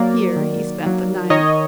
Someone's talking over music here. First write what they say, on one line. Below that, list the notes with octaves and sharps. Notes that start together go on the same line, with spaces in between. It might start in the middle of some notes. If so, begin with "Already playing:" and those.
Here he spent the night.
Already playing: F#3 A#3 D5
D#3
F#3 A#3
D#3 C#5 D#5